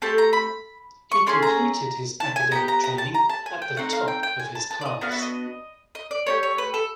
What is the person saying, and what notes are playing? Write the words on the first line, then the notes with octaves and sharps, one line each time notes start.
He completed his academic training at the top of his class.
A3 C4 G4 A5
A#5
B5
C#6
A3 C#4 G#4 C6
A#5
A5
G#5
B3 D#4 G4 A#5
A#5
A#5
A5
A#5
A5
G#5
G5
A3 C4 D#4 F#5
F5
G5
G5
G#5
A5
A5
D5
D#5
B3 D4 F#4 F5
E5
D#5
D#5
D5
A3 D4 G4 C#5
C#5
B4
A4